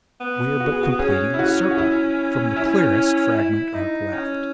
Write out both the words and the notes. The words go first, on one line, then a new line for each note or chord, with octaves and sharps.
We are but completing the circle from the clearest fragment-arc left.
B3
F#4
G#4
F#4
C#4 G#4
E4
F#4
F#4
E4
E4
E4
D#4
C#4